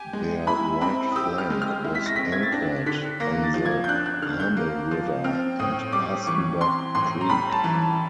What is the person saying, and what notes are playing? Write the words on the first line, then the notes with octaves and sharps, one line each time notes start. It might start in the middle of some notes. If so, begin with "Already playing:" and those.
Their right flank was anchored on the Hamel river and Hastenbach creek.
Already playing: G4 G#5
G#3
E4 B5
C4 B5
D#6
G4 E6
F6
G#3
F6
E4
B6
A#6
C4 B6
G#6
A6
D4 A#6
D3 B6
A#3 A#6
A6
F3
G#6
G6
D4 F#6
F#6
D3 F6
G6
A#3
F3
C4 F6
A2 D#6
G3 D6
E3 C#6
C4 C6
A2 C6
A#5
G3 B5
A5
E3 A#5